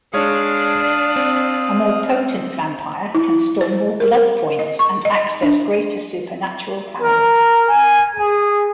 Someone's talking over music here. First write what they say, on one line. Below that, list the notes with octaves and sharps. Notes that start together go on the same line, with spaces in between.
A more Potent vampire can store more blood points and access greater supernatural powers.
G#3 D4 C#5 F5 D#6
C4
E4
C5
A#4
A#4
D#5
C#6
D#5
D4
A#4
G#5
G#4